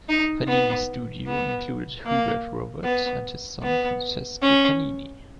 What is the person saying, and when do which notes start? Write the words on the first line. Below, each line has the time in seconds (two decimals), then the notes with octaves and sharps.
Panini's studio included Hubert Robert and his son Francesco Panini.
0.09 D#4
0.48 B3
1.26 B3
2.06 A#3
2.84 B3
3.62 B3
4.42 C#4